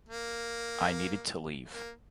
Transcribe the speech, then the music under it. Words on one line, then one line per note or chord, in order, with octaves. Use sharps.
I needed to leave.
A#3
A#3